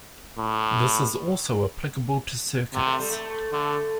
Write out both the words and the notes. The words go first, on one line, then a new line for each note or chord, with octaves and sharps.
This is also applicable to circuits.
A2
C3 B3
A3
G3
A3
D3 A3